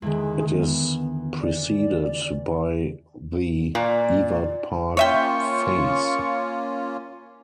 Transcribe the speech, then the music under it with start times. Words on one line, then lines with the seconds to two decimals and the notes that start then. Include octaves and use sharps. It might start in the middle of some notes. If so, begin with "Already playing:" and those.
It is preceded by the Ewart Park Phase.
0.02 E2 D3 D#3 G#3
0.53 B3
1.41 D5
3.75 A#2 D5
4.97 A#3 C#4 F4 C#5 E5 G5 C#6